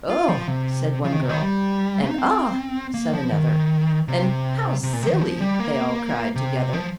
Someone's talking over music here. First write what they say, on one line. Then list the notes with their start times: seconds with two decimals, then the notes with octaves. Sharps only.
"Oh," said one girl, and "Ah," said another; and "How silly!" they all cried together.
0.10 F4
0.28 F3
0.47 C3
1.04 F3
1.13 D#3
1.21 C3
1.29 D#3
1.42 G3
2.09 D#4
2.18 C4
2.94 A#3
3.13 F3
3.31 D#3
4.08 C3
4.83 C3
4.93 A#2
5.02 C3
5.07 F3
5.12 D#3
5.21 F3
5.41 G3
5.60 A#3
6.35 C3
6.73 F3